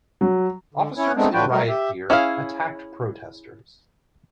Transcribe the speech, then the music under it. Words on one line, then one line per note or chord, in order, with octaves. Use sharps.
Officers in riot gear attacked protesters.
F#3
D3
C#4 E4 C#5
G#3 A3 B3 C4 D4 D#4
A2 D4 F4 F#4 B4 G5
F#3 G3 A3 A#4
G4 E5
C#4 E4 G#4 E5 F5